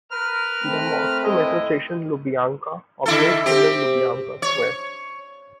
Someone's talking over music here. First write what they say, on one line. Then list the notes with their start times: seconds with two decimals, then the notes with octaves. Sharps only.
The Moscow Metro station Lubyanka operates under Lubyanka Square.
0.11 A#4 B4 F6
0.63 A3 C4
1.22 G#3 E4 D#5
3.06 D3 E4 A4
3.46 C4 G4
4.42 C#5